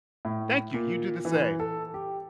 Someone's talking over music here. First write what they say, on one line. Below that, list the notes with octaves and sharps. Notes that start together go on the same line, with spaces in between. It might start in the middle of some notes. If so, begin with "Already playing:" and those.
Thank you, you do the same.
A2
A#2
E3
A4
G4